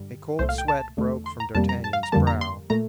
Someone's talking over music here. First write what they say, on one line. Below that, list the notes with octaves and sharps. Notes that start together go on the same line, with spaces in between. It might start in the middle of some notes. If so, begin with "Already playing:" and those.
A cold sweat broke from d'Artagnan's brow.
Already playing: G2 D3 G3
C2 A#2 A3 C5
F5
G5
A5
E2 D3 A3
C6
A#5
F2 C3 G3 A#3 A5
A#5
A5
F5
A#5
F2 D3 G3 A#3 A5
A#5
C6
A#2 A3 A#5